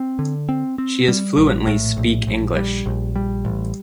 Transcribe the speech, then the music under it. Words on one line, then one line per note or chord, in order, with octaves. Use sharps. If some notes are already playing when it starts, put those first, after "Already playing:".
She is fluently speak English.
Already playing: C4
D3
C4
C4
G3
A#1
A2
A#1
A#1
G3
A#1
G3
A1